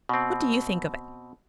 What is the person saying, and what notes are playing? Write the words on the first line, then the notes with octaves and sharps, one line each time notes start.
What do you think of it?'
B2 C4